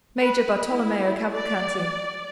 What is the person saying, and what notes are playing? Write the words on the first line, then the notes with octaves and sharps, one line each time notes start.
Major Bartolomeo Cavalcanti.
B4
E4
D5